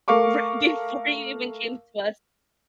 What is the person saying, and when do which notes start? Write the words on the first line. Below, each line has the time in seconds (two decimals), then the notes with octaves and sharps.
right before you even came to us.
0.08 A3 A#4 F5 C#6 D6